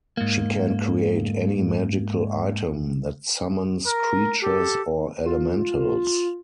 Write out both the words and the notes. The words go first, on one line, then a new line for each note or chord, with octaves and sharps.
She can create any magical item that summons creatures, or elementals.
G#2 A#3
A#4
G4 A4
F4